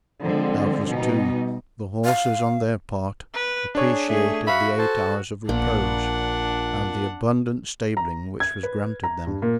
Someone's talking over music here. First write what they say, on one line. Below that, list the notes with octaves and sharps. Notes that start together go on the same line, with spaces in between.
Doubtless, too, the horses on their part appreciated the eight hours of repose and the abundant stabling which was granted them.
D3 F3 G#3 C4
B2 G3 D#4
F5
B4
D4 G#4 C#5
A3 G#4
F#4 E5 F5 B5
A4 C5
A#1 A#2 D4 F#5
A#5
G#6
B4
A#5
G2
A#2